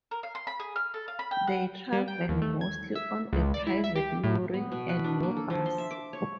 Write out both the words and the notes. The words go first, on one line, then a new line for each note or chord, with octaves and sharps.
They travel mostly on a private lorry and no bus.
A#4
F5
C6
B5
G#4
F6
A4
F5
B5
G5
F#5
G3
G5
D#2
A3
G#6
E5
C#2
D5
E4
E5
G4
A2
B3
B2
B4
D4
A#3
A4
F3
C6
E5
D6
C#5